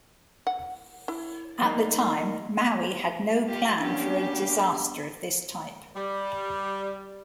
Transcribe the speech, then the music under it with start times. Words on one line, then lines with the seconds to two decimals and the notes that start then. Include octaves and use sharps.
At the time, Maui had no plan for a disaster of this type.
0.47 F#5
1.08 E4
1.62 G3 A#3 D#4
3.49 F4 G4
3.79 G3 A#3 B3 C#4 D4 G4
5.96 G3